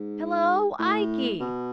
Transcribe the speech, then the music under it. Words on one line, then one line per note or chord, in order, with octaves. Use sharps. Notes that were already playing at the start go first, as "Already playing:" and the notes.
"Hello, Ikey!"
Already playing: G#2
A2
B2